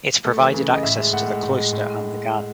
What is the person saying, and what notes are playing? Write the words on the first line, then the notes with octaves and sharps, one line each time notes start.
It provided access to the cloister and the garden.
A3
E3
C#3
C#3
D#5
A2 E5
G#3
A2 F#5
G#3
A2
G#3
A2